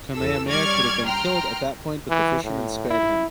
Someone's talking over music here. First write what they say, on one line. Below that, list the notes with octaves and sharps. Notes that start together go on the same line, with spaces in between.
Kamehameha could have been killed at that point but the fisherman spared him.
E2 A4 E6
G3 C#4 D5 C#6 F6 G#6
G5 A#5 C6 F6
E3
A2
E4